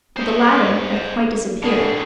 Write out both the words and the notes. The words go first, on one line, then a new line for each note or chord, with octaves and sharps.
But the ladder had quite disappeared.
C5 D#5
A2 D3 G#4